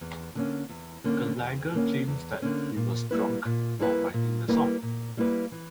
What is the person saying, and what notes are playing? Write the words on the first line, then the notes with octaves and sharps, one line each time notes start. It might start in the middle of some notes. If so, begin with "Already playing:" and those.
Gallagher claims that he was drunk while writing the song.
E2
D3 A#3 C#4
E2
D3 A#3 C#4
E2
D3 A#3 C#4
E2
D3 A#3 C#4
A#2
G3 A#3 E4 B4
A#2
G3 A#3 E4 B4
A#2
G3 A#3 E4 B4
A#2
G3 A#3 E4 B4
E3